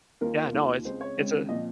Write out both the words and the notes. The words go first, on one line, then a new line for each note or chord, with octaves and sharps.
yeah, no, it's it's a
D#2 D#3 A#3 F4 A#4
D#2 D#3 A#3 F4
C#2 C#3 G#3 C4 C5
C#5
C#2 C#3 G#3 C4
A#2 F3 C4 D#5